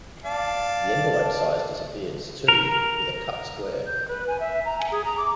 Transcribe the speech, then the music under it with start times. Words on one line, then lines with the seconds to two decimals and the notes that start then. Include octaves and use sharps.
The envelope size disappears, too, with a cut square.
0.25 D5 F5 A5
2.48 A#4
3.86 G6
4.08 B4
4.28 G#5
4.40 E5
4.65 A#5
4.78 G#5
4.92 G#4
5.05 A#5
5.18 D6